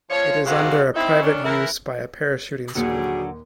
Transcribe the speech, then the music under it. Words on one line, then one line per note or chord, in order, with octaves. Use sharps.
It is under a private use by a parachuting school.
F3 C#5
D2 G2 C3 G#3 F#4 F5
C4 D#4 E4
D#3 C#4 D4
E3 E4 A#4
D#2 A#2 D3 F#3 G3 F#4 G#4 F#5